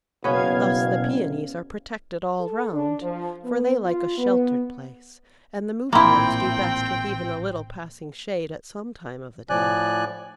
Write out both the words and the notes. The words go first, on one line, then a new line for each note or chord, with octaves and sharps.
Thus the Paeonies are protected all round, for they like a sheltered place, and the Moutans do best with even a little passing shade at some time of the day.
F#1 B2 B3 C#4 F5 G#6
A4
D4
F3
B3
F4
B3
A1 A#2 A#3 C4 E4 G5 B5 C6
A2 F3 D5 G#5 F#6